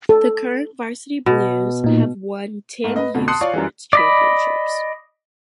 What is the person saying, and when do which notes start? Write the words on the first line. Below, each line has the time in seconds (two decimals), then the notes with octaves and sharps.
The current Varsity Blues have won ten U Sports Championships.
0.09 A4
1.26 B2
1.84 A#2 D#4
2.84 G#2 A3 A#3
2.96 B4 D#5
3.14 F2 B2 D3
3.28 A5 C6 D#6 F#6 C7 C#7
3.41 F4 C#5 D5 F5
3.53 F#2 E3
3.93 D5 D#5 B5